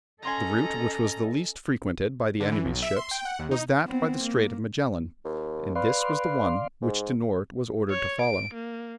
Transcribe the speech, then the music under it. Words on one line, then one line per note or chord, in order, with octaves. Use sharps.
The route which was the least frequented by the enemy's ships was that by the Strait of Magellan, and this was the one which De Noort was ordered to follow.
C#4 A4 D#5 G#5 A#5 C6 A#6
D3
E3
B1
E5
C6
G5
F#5
D#2
D#4
B3 C4
A#3
D#2
B4 D5 F5 C6
G#2
C#5
D7
A#3